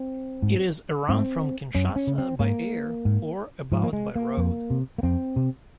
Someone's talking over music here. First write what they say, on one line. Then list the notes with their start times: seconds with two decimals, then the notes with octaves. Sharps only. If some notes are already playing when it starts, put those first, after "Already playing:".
It is around from Kinshasa by air, or about by road.
Already playing: C4
0.42 G#2
1.09 G#2 C4
1.75 F#2 C#4
1.89 C4
1.96 C#4
2.07 C#3
2.18 C4
2.39 G#2 A#3
3.05 G#2
3.72 G#2 F3
3.83 A#3
3.93 G#3
4.16 A#3
4.37 F2
4.70 C3
4.98 A#3
5.03 F2 C4
5.36 C3